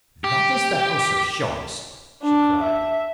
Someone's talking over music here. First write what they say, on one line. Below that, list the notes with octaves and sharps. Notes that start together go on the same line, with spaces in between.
"That is the house of Shaws!" she cried.
G4
D4
E5